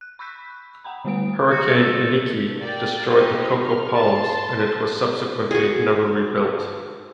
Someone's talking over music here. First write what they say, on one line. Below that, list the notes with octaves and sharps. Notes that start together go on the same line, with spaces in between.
Hurricane Iniki destroyed the Coco Palms and it was subsequently never rebuilt.
F#6
B5 C#6 E6 F#6 G6 B6
F#5 G5 A#5 B5
D3 G3 A3 B4 D#6 D7
F#4
A4
A#3 D5 G5
D#4 G4 B4 C5 D#5
F6
A5 C6 A6
F#4 G#4